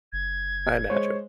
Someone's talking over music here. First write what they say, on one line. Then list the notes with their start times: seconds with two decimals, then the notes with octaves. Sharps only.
I imagine,
0.13 F#1 G#6
0.90 G#3 C5 C#5